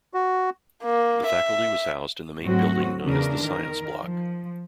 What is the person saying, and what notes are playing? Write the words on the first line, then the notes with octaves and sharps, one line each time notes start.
The faculty was housed in the main building known as the "Science Block".
F#4
A#3
E5
G#2 F#3 A3 C4 F#4
E2 C#3 D4 A#4
D#3 A#4
F3